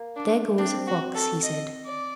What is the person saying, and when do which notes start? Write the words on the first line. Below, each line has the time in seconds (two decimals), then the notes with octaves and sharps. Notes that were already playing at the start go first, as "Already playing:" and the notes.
"There goes a fox," he said.
Already playing: A#3
0.16 D4
0.58 C4 D4
0.87 F#4
1.15 A4
1.43 D#5
1.85 D5